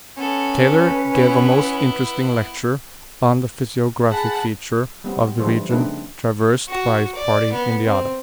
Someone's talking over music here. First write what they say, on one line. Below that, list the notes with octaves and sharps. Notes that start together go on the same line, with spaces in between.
Taylor gave a most interesting lecture on the physiographic features of the region traversed by his party in the autumn.
B3 C#4 A4
B4
B3 E4
G#4 F#5 A5 B5
G3 B3 C4
D3 E3 F3 G3 G#3 C5
C#3 A3 C4 D4 D#4 B4
F#4
D5
B3
C4